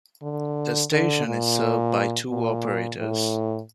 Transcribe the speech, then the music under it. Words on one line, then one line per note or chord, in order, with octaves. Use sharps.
The station is served by two operators.
D3
D3
A#2
A#2
A2